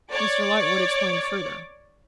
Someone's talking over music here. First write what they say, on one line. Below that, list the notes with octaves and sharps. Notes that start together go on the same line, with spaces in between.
Mr Lightwood explained further.
C#5 D5 D6